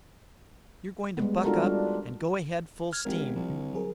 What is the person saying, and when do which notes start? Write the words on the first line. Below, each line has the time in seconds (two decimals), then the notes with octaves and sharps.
You're going to buck up and go ahead full steam.
1.17 G3 G#3 B3
1.44 D4 D#4 F4 F#4 A4 A#4
1.62 G3 D4 F4
2.93 F6 G#6
3.05 G#1 G4 A#4
3.35 C2 F3
3.50 D3
3.73 F#3 G#4 A#4